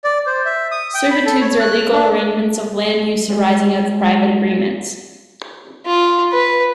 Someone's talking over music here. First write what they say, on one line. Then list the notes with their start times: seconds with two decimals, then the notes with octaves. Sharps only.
Servitudes are legal arrangements of land use arising out of private agreements.
0.04 D5
0.26 C5
0.46 E5
0.71 D#6
0.94 G5
1.11 B5
1.26 A4
1.41 C#5
1.60 F#6
1.92 D4
3.28 G#3
5.86 F4
6.32 B4